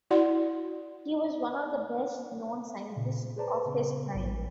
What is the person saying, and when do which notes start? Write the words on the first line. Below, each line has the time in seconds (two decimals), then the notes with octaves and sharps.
He was one of the best known scientists of his time.
0.11 E4 F#4 D5 F#5 C6
2.96 A#2 C#3
3.36 G#4 B4 C5 D5 A5 A#5
3.65 A#2 C#3 B3
4.14 A1 G#2